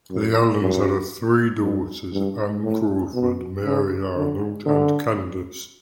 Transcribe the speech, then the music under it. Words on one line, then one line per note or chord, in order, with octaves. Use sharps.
The Allens had three daughters, Anne Crawford, Mary Arnold and Candace.
F#2
F#2
F#2
G2
A2
B2
C#3
D3
D3